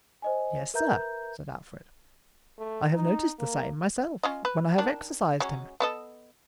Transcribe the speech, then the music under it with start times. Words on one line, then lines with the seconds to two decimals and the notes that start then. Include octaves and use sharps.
"Yes, sir," said Alfred, "I have noticed the same myself, when I have exercised him."
0.22 C5 D#5 G#5
0.74 A#4 B4 E5 A#5 G6
2.58 A3
2.94 D#4
3.39 A#3
4.23 C#4 F4 D#5
4.45 B4
4.78 D#3 D4
5.40 F#3 G#3 C#4
5.80 B3 A4 D#5